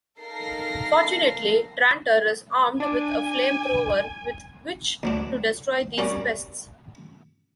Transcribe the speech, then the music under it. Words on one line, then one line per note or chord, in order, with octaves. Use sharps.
Fortunately, Trantor is armed with a flamethrower with which to destroy these pests.
D#4 A4 A#4 F5 A#6 C7
D4 G#5 D6
D2 F#3 D4
G3 C#4 F#4 A#4 D5